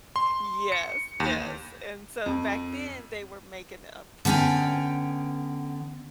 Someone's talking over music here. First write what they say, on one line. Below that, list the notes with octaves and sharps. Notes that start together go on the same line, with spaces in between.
Yes, yes, and so, back then, they were making a point of,
C6
C#7
D#2
F2
D3 B3 C#4 G5 G#5